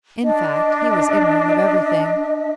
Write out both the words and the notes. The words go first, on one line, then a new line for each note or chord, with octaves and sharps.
In fact, he was ignorant of everything.
D4 D#5